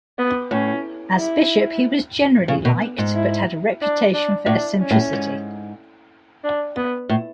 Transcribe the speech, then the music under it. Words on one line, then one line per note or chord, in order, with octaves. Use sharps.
As bishop he was generally liked, but had a reputation for eccentricity.
B3
A2 C#4
E4
C#3
B2
G#2
E4
D4
D4
A2 D4
C#4
A2
G#2
D4
B3
A2